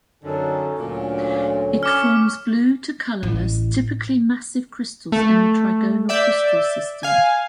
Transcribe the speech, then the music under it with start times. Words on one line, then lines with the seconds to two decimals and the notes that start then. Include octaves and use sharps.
It forms blue to colorless, typically massive crystals in the trigonal crystal system.
0.23 F#2 D3 C#4 D#4 A4
0.79 D2 A#2 D3 F#3 C#4
1.83 C#4 D6 F6
3.23 A1
5.12 A3
6.09 D5 E5 G6
7.03 F5 G#5